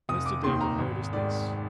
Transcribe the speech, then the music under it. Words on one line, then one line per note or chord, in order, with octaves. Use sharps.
Mr. Damon noticed this.
F1 D#6
D6
D#2 D#3 C6
A#5
G#1
G#2 D#3 D5